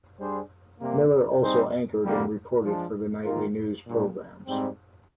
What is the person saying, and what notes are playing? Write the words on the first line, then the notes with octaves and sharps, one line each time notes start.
Miller also anchored and reported for the nightly news programs.
G3 D4 G#4 C5
C3 G3 A#3
G3 C4 D#4 G#4 C5
F2 D3 G3 A#3
F3 G#3 D4
G#2 D#3 A#3 F4 A#4
A#2 G3 D4
G#2 G3 C4